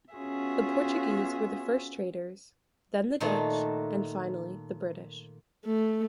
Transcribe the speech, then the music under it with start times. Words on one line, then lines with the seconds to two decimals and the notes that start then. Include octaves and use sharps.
The Portuguese were the first traders, then the Dutch and finally the British.
0.14 B3 C#4 F4 F#4 G#4 E5
3.20 A#2 D#3 A3 F#4
5.65 A3